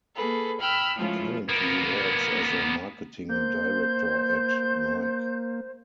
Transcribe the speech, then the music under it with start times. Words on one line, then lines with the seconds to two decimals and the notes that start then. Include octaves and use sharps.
He currently works as a marketing director at Nike.
0.16 A#3 G#4 A4 B4
0.60 G5 B5 E6 F6
0.96 F3 G#3 A3 C#4 E4 F4
1.49 A#3 B3
3.29 A#3 C5 G6